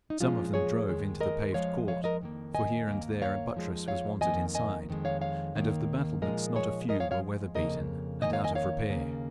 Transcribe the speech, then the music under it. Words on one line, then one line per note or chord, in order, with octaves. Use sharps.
Some of them drove into the paved court, for here and there a buttress was wanted inside, and of the battlements not a few were weather-beaten and out of repair.
D#4
A#2 F3 G#3 C#4 F4
G#4 C#5
D#2 D#3 G#3
A#4 D#5
F2 F3 G#3 C#5 F5
C#5 F5
A#4 D#5
F2 D#3 A#3
D#5 G#5
D#2 C#3 A#3
C#5 F5
F2 F3 G#3
C#5 F5
F2 D#3 A#3 D#5 G#5
D#5 G#5
F2 D#3 G#3
C#5 F5
C#5 F5
D#2 D#3 A#3
A#2 F3 G#3 A#4 D#5
G#4 C#5
G#2 F3 G#3 A#4 D#5
C#5 F5
C#5 F5
F2 C#3 A#3 A#4 D#5
F2 D#3 A#3 D#5 G#5
C#5 F5
D#5 G#5
C#5 F5
D#2 C#3 A#3